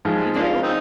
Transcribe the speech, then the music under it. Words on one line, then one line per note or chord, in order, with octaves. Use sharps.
And we do.
G#2 F3 G#3
A#3 D4 F4
C4 D#4